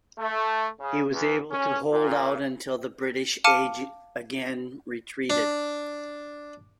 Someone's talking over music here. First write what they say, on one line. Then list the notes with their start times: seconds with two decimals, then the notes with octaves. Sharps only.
He was able to hold out until the British again retreated.
0.17 A3
0.79 C#3
1.11 E2
1.49 C#4
1.90 A#2
3.44 F5 A5 D6 F6 C#7 D#7
5.30 D4